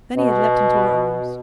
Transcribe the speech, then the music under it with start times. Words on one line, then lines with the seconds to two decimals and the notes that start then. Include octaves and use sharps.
Then he had leapt into her arms.
0.18 B2